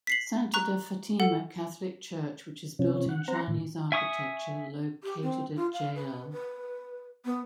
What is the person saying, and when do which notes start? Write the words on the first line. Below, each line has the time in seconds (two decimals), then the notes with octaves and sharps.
Santa de Fatima Catholic Church, which is built in Chinese architecture located at Jl.
0.07 B6 C7 F#7
0.54 A#5 C#6 F#6
1.20 A4 F#5
2.79 C3 F3 C#4
3.09 F#5
3.28 C4 C5 F#5 A#5
3.47 A2 D#3
3.92 E5 G#5 C#6 D#6
5.04 G4
5.22 C4
5.56 F4
5.73 F5
5.95 B4
6.33 B4
7.25 B3